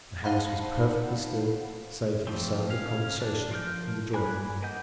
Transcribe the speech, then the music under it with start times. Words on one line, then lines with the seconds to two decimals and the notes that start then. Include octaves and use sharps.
The house was perfectly still, save for the sound of conversation in the drawing-room.
0.24 D#4 C5 F5 F#5 A5 B5
2.27 E3 F3 A3 C4
2.70 C#4 F5
3.21 D4
3.51 F3 A#4 F6 G6
4.13 A#3 G#5 B5 F#6
4.62 A#3 B4 D#5 F#5 G6